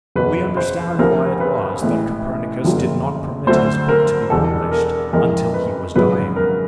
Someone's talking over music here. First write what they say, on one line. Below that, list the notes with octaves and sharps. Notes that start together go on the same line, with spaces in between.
We understand why it was that Copernicus did not permit his book to be published until he was dying.
F#1 E2 B2 B4
C5
D2 C3 F3 A#4
B4
A1 A2 E3 G#3 B3
F#1 F2 D3 F#3 A#3
D2 D3 F#3 A3 C5
A#4
E1 E2 B2 G3 A4
A#4
F2 C#3 E3 G#3 A#4
B4
G#1 F#2 C#3 F#3 B3 B4
A#4